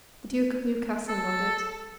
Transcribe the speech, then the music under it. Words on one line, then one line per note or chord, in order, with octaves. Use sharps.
The Duke of Newcastle nodded.
A4